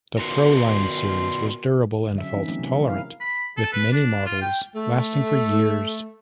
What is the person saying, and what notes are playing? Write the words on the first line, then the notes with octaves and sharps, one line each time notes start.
The Pro-Line series was durable and fault-tolerant, with many models lasting for years.
B3 F#4 A#4 C6
D3 F#3 C#4 E5
E3 F3 C4 D#4
F#3 A3 B3 C#4
C3 F3
G#3
E4 A#4 F5
B5
A4
B4
D4
F4
G5
A3